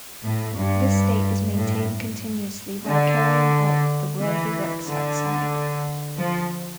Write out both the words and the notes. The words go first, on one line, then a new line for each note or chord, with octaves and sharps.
This state is maintained continuously while carrying out the worldly works outside.
A2
G2
A2
D3
E3
D3
F3